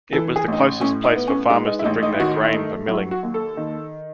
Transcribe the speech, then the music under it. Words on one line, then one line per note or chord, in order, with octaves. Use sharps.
It was the closest place for farmers to bring their grain for milling.
E3 A4
G#4
A1 D#4
C#4
A2 C#4
D#4
B3
C#4
G#3 D#4
D#4
E4
A1 D#4
D#4
E4
D#3 F#4
E4
A3 D#4
F#3 E4
F#4
D#2
A4
D#3